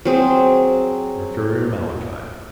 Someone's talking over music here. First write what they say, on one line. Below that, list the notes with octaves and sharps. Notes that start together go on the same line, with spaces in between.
Mercurial Malachi.
F#3 C4 G#4